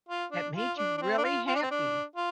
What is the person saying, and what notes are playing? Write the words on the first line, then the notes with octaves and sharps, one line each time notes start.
that made you really happy?
F4
D4
F4
D4
D4
C4
D4
F4
F4
D4
C4
D4
F4